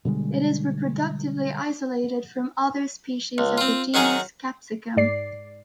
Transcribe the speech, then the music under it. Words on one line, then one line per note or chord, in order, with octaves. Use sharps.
It is reproductively isolated from other species of the genus "Capsicum".
B2 D3 G3 G#3
C#2
C4 F4
D#3 F#3 C#4 G#4
G#2 D5 C7